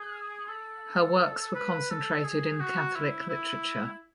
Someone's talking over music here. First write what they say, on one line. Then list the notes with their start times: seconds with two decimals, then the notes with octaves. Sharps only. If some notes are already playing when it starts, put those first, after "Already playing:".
Her works were concentrated in Catholic literature.
Already playing: G#4
0.49 A4
1.55 B4
1.90 A4
2.24 G#4
2.60 F#4
2.96 E4
3.30 E4